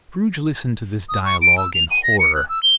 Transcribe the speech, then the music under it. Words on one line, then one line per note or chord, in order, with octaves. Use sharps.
Scrooge listened to this dialogue in horror.
D#6
C#6
D7
E6
F7
D#7
A#6
C#7
F#6
E6
G7